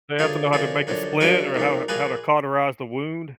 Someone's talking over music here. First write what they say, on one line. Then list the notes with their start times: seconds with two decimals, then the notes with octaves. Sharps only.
they have to know how to make a splint or how how to cauterize the wound.
0.19 F#2 D3 F3 F4 G#4
0.53 F#2 D3 F3 F4 G#4
0.87 F#2 D3 F3
1.20 F#2 D3 F3 F#4 A#4
1.54 B1 A#2 F3
1.88 A#2 F3 G#4 B4